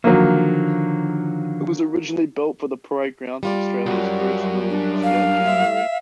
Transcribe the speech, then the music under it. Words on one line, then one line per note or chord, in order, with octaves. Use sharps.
It was originally built for the parade grounds of Australia's first World Scout Jamboree.
D3 D#3 F3 F#3 A#3
G3 F4 D5
B1 F#2 F#3
D4
F5
E5